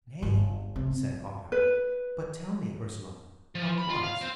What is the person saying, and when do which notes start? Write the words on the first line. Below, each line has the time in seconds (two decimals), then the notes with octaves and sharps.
"Nay," said Otto, "but tell me, Ursela, how it was."
0.22 G1
0.76 C3
1.52 B4
3.55 F3
3.78 B5
3.90 F4
4.04 F5
4.21 C4